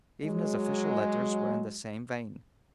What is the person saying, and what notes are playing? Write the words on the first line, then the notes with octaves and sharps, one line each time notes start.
Even his official letters were in the same vein.
F#3 G#3